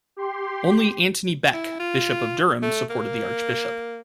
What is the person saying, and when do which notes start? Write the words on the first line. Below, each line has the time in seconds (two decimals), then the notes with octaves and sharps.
Only Antony Bek, Bishop of Durham supported the archbishop.
0.17 G4 C6
1.53 E4
1.80 F4
2.63 A3
2.90 A#3